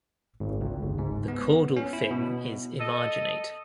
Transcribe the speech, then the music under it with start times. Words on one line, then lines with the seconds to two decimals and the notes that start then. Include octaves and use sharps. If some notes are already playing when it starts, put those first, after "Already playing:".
The caudal fin is emarginate.
0.40 G#1
0.61 C#2
0.82 G1
0.98 G#2
1.28 B3
1.76 C#4
1.93 E4
2.11 B2
2.80 A4 D#5